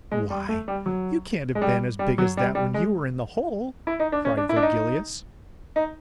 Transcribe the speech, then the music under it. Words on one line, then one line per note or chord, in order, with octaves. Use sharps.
'Why, you can't have been as big as that when you were in the hole!' cried Virgilius.
G#3
G3
A3
G3
F#3
G#3
G3
G3
F#3
G3
G3
G#3
E4
D#4
D4
C#4
D4
E4
D4
D#4
D#4